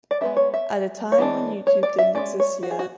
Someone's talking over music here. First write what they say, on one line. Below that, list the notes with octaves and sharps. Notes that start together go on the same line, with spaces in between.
At a time when YouTube didn’t exist yet.
D5
G#3 B3 D4 E5
C#5
E5
C#5
E3 G#3 D4
C#5
D5
E5
G#3 C#4 D5
C#5
F#4
G#4
F#4